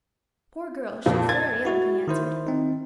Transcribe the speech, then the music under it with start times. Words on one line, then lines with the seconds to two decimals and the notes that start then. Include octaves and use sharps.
"Poor girl, she is very ill," he answered.
1.06 F2 A#2 F3
1.29 G#6 A6
1.65 E4 F#4
2.08 D#3 E4 C5
2.47 C4 D#4